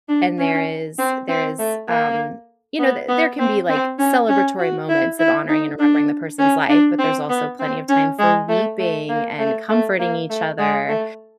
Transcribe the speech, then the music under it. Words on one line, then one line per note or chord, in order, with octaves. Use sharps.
and there is there is, um, you know, th there can be, like, celebratory moments of honoring and remembering the person's life, but there's also plenty of time for weeping and comforting each other.
D4
C#4
C4
C4
A3
A#3
B3
B3
C4
C4
C#4
C#4
F#4
E4
E4
D#4
D4
C#4
D4
C4
B3
C4
C#4
G#3
A3
A3
A#3
A3
A3
A#3
A3
G#3
A3